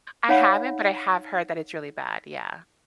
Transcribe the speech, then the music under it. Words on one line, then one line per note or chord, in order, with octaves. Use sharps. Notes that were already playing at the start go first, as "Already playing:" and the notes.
I haven't, but I have heard that it's really bad, yeah.
D#4 C#5 D5 F5 F#5 B5